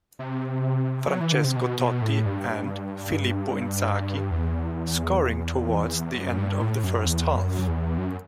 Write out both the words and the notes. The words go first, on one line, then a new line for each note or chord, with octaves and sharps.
Francesco Totti and Filippo Inzaghi scoring towards the end of the first half.
C3
F#3
E3
D3
C3
B2
B2
A2
G2
E2
F#2
G2
A2
F#2
E2
F#2
E2
F#2